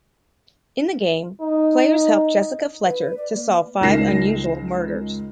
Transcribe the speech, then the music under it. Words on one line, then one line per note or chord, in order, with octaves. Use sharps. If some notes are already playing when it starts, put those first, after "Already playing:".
In the game, players help Jessica Fletcher to solve five unusual murders.
D#4
B4
D5
A#3
C#2 D#4 A#4 A#6 C7 E7